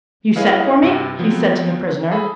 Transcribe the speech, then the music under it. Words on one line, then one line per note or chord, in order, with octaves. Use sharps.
"You sent for me?" he said to the prisoner.
E4 G#4 B4 C#5 D#5 F5
G2 C3
F3 F#3 B3 C4
G#4 A4 B5